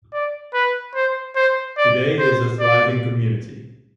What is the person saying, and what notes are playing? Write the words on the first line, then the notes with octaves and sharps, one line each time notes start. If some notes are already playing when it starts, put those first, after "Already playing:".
Today it is a thriving community.
D5
B4
C5
C5
D5
C5
D5